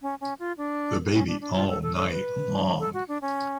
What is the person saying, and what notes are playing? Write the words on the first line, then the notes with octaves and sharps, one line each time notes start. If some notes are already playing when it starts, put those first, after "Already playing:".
The baby all night long.
C#4
C#4
F4
D4
C#4
D4
D4
F4
A4
A4
A4
B4
A4
F#4
D4
C#4